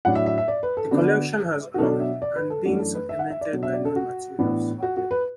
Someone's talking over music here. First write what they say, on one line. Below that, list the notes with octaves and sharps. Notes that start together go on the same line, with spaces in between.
The collection has grown and been supplemented by loan materials.
A2 F#3 D4 F#5
E5
E5
E5
D5
B4
A4
D3 B3 D4 F#4
F#4
B2 F#3 D4 A4
E5
D5
B4
A4
F#2 E3 A3 D4 F#4
A4
B4
E5
F#5
E5
D5
B2 F#3 D4
E5
D5
A4
F#4
A2 E3 B3 D4
F#4
F#4
B4